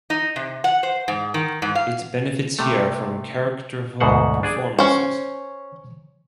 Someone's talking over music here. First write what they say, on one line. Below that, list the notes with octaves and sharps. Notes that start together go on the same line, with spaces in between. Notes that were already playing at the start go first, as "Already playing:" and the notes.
It benefits here from characterful performances.
D#4
C3
F#5
C5
G#2
D#3
G#2
F5
C3 A3
D2 G#2 B2 C5 F#5
D4 G#4 D5
C#4 C5